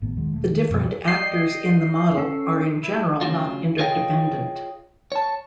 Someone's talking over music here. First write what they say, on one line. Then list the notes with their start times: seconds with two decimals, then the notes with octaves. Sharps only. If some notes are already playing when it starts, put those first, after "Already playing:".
The different actors in the model are in general not interdependent.
0.02 G#1 A2 B3
0.17 D#1 D#3 F#3 G#3
0.33 E1 A3
0.49 D#3 G#3
0.69 C#2 F#2 B2 F3
1.08 D5 D#5 G5 C7
2.18 C#4 A4 E6
2.83 E4
3.21 D2 C#3 F#3 F4
3.79 F4 G#4 C#5 D#5 F5 G5
5.12 C#5 A5